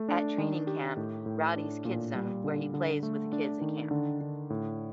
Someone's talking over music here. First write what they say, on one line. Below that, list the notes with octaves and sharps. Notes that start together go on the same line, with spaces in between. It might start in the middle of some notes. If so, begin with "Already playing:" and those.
At Training Camp, Rowdy's Kid Zone, where he plays with the kids at camp.
Already playing: A3
D4
D#3
G4
A2
A2
D4
A#2
G3
D3
D3
A3
D4
D#3
D3
D3
A2